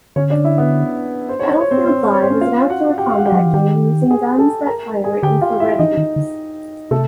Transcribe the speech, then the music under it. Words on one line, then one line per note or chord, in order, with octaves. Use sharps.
Battlefield Live is an outdoor combat game using guns that fire infra-red beams.
D3 C#4 C#5
D4 D5
E4 E5
B3 B4
C5
C#5
C5
C#5
C4 C5
C4 C5
C#5
C5
C#4 C#5
F4 F5
F#4 F#5
G4 G5
F5
F#5
G4 G5
F#3
F3
E3
D#3 G4 G5
G#4 G#5
A4 A5
A#4 A#5
G#4 G#5
D3 G4 G5
F4 F5
E4 E5
E3 D#4 D#5
D#3
D3
C3 A3 A4